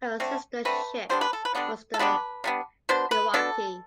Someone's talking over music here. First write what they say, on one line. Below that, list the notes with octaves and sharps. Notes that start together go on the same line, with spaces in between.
Her sistership was the "Milwaukee".
D3 A3 C4
D3 A3 C4 B4
D3 G3 B3 D4 C5
B4
A4
B4
D3 G3 B3 D4
A4
D3 G3 B3 D4 B4
D3 G3 B3 D4
B2 B3 D4 C5
B4
B2 B3 D4 A4